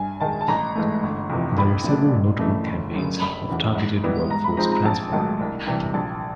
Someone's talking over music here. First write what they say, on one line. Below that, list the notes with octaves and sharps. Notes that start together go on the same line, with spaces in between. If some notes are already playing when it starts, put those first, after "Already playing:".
There were several notable campaigns of targeted workforce transfer.
Already playing: G2 G#5
D#3 G#3 A5
A5
A1 A#5
G#2 E3 A3
G1
F2 C3 E3
A#1 B5
A#2 F#3 A3 D4
F#1
F2 C#3 E3 A3
G1
F#2 C#3
F1 B5
E2 C#3 E3
G#2
E3 G3 B3 E4
G#2 A#5
B5
F3 G#3 C4 D#4 A#5
A#5
A#1 A5
G#2 D#3 F#3 A3
C2
C3 E3 G3
A#1 A5